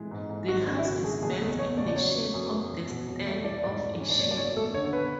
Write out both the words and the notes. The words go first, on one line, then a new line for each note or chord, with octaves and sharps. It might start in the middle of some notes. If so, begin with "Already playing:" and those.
The house is built in the shape of the stern of a ship.
Already playing: E3 G#3
G#2
G#2
G#1 F#4
G#1 D4
E4
C#3 F#4
G#1 G#4
F#1 G#4
E2 A4
F#1 C#5
C#3 D5
D5
F#3 C#5
B3
F#2
B3
E1
B2
E1
A3
E4 D5
G#2 D5
G#2
C#4
D5
F#1 C#5
D5
F#2 C#5
A3 A4
D3 C#5
C#5
B3 B4